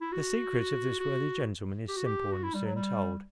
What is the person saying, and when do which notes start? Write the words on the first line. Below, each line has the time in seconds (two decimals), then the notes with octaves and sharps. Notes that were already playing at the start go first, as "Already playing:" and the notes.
The secret of this worthy gentleman is simple and soon told.
0.01 E4
0.12 F#4
1.00 F#4
1.88 G4
1.96 F#4
2.06 G4
2.32 F#4
2.43 E4
2.54 G3
2.65 F#3
2.75 G3